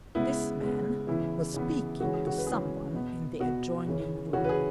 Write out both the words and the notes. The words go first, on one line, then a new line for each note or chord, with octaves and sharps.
This man was speaking to someone in the adjoining room.
C#3 G#3 B3 E4
C#3 G#3 B3
C#3 E3 B3 E4
C#3 E3 B3
C#3 E3 G#3 C#4 F#4
G#4
F#4
B4
C#3 E3 G#3 C#4 G#4
B2 B3
B2 B3 F#4
C#3 E3 C#4
C#3 E3 C#4 F#4
B4
G#4